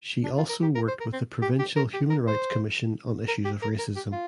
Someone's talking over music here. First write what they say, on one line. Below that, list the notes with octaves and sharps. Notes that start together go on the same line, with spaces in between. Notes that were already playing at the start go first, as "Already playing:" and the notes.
She also worked with the provincial human rights commission on issues of racism.
D4
F4
A#4
G4
A#4
C5
A#4
C4
G4
G4
A#4
G4
A#4
C5
A#4
G4
A#4
A#4
G4
F4